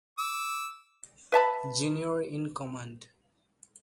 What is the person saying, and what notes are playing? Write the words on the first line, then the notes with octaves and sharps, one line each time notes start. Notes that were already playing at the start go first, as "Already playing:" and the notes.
Junior in command.
D6 E6
B4 E5 A5 B5